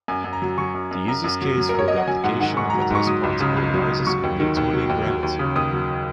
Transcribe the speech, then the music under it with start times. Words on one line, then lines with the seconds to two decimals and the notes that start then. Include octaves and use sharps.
The easiest case for the application of a test particle arises in Newtonian gravity.
0.08 F#2 G#5
0.24 F#2
0.33 A#5
0.42 F#3
0.58 F#3 C#6
0.75 F#2
0.91 F#2
1.08 F#2 A#5
1.24 F#2
1.41 F#3
1.58 F#3
1.69 A#4
1.74 F#2 C#5
1.88 F#2 D#5
1.98 F#5
2.07 F#3 G#5
2.24 G#2 F#5
2.40 D#3 F#5
2.57 G#2 C#6
2.70 A#5
2.74 F#3
2.82 A#5
2.91 G#2 C#6
3.07 F#3 D#6
3.23 C#2
3.40 C#3
3.57 C#2
3.74 F#3
3.90 C#2
4.07 F#3 C#6
4.23 D#2
4.40 D#3
4.57 D#2
4.73 F#3
4.89 D#2
5.07 F#3
5.23 D#2
5.39 C#3
5.55 D#2 D#6
5.73 F#3